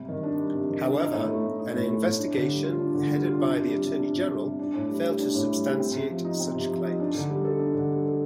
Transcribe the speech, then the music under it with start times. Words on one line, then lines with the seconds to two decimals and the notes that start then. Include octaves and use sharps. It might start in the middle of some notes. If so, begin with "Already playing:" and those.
However, an investigation headed by the Attorney General failed to substantiate such claims.
Already playing: C3 G3
0.09 D#3
0.23 D4
0.39 G3
0.53 C3
0.69 D#3
0.84 D4
0.99 D#4
1.14 A2
1.29 A3
1.44 A2
1.59 D#4
1.74 A2
1.89 A3
2.04 A2
2.19 D4
2.34 D3
2.49 G3
2.64 F4
2.79 D4
2.94 D3
3.09 G3
3.24 F4
3.39 D4
3.54 C3
3.69 G3
3.84 C3
3.99 D4
4.14 C3
4.29 G3
4.44 C3
4.59 D4
4.74 A2
4.90 G3
5.04 G4
5.20 D4
5.35 A2
5.50 G3
5.65 G4
5.80 C4
5.94 C3
6.09 F3
6.25 D#4
6.40 C4
6.55 C3
6.70 F3
6.85 D#4
7.00 D4
7.15 D3
7.30 G3
7.45 A4
7.59 D4
7.74 D3
7.90 G3
8.05 A4